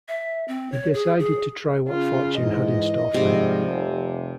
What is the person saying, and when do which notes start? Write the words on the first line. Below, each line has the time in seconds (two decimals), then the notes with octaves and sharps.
He decided to try what fortune had in store for him.
0.08 E5
0.48 C4
0.72 C#5
0.94 G#4
1.20 G#4
1.88 C#3 F4
2.39 G#2 E3 D#5
3.14 G#2 C3 F3 G3
3.68 F1